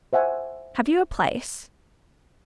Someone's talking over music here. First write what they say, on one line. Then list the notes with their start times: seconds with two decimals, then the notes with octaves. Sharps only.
"Have you a place?"
0.13 C5 E5 F#5 G#5